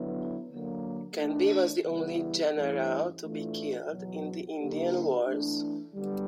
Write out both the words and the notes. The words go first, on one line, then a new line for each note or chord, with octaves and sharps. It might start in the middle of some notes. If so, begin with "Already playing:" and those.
Canby was the only general to be killed in the Indian Wars.
Already playing: D3 F#3 B3 E4
D3 F#3 A#3
E3 A3 D4
C#3 E3 G3 B3 E4
G2 E3 A3 C#4 E4
A2 E3 A3 D4 F4
E2 B2 F#3
D3 F#3 A#3 D#4 G4
E3 A3 D4
F#2 D3 G3 B3